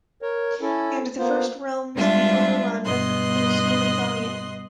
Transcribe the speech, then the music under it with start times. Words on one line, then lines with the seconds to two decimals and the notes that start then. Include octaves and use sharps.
And the first realm to be overrun was Dorthonion.
0.22 A#4 C#5
0.61 C#4 E4 A4
1.18 A#3 B3 F4 C5
1.95 G3 G#3 D4 F4 E5
2.85 G2 B2 D#5 C6 F#6